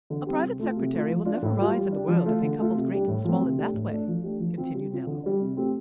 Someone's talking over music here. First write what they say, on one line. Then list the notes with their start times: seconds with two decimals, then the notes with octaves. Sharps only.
"A private secretary will never rise in the world if he couples great and small in that way," continued Nello.
0.10 D3
0.26 G3 C4 G4
0.42 C3
0.59 A3 F4
0.77 C3
0.93 A3 F4
1.10 F3
1.25 D4 F4
1.42 A2
1.58 G3 F4
1.75 G3
1.92 D4 G4
2.08 F3
2.25 A3 F4
2.42 D3
2.59 A3 F4
2.75 C3
2.92 G3 D4 G4
3.08 A2
3.24 F3 A3 C4
3.41 C3
3.58 A3 D4 G4
3.74 A2
3.91 A3 D4
4.08 F3
4.24 A3 D4 G4
4.40 F3
4.57 C4 F4
4.74 G3
4.90 C4 F4
5.07 D3
5.23 G3 D4
5.40 C3
5.57 A3 C4 G4